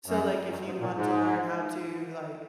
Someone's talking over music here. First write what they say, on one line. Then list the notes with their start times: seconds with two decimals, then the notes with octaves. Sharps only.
so, like, if you want to learn how to, like,
0.06 F#2
0.50 F#2
0.66 G#2
0.80 A#2
0.95 G#2